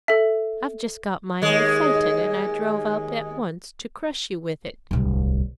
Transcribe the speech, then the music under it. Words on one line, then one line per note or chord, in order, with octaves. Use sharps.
I've just got my new phaeton, and I drove up at once to crush you with it.
A4 E5
D#2 G#3
D1 C2